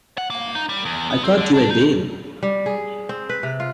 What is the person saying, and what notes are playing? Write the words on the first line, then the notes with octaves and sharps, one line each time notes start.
I thought you were Dale!
F#5
A#3
D#4
G3
E2
B3
C4
D3
D4
D#4
G3
G#4
C4
B4
C3
F4